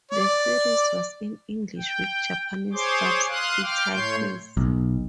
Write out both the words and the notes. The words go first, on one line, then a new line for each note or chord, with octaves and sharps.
The series was in English with Japanese subtitles.
D5
G5
G#4 C5 C#5 C6 D6
F5 C6 D#6 F#6
G5 D6 F6
A2 A3 C#5 C6 G6
B1